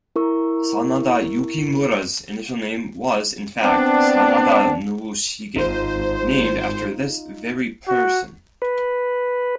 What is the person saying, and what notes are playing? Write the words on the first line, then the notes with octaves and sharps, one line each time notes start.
Sanada Yukimura's initial name was, in fact, Sanada Nobushige, named after this very person.
E4 A#4 C#6
B3 C4 D4
G#1 D#4 F4 C5 C6
F#4
B4